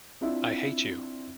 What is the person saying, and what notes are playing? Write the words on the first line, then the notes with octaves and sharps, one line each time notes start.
I hate you!
C4 D4 E4 F4 E5